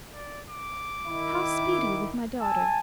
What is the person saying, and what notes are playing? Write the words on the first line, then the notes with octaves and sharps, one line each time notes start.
"How speed you with my daughter?"
D5
D6
D#3 E4
G#5 A5 E6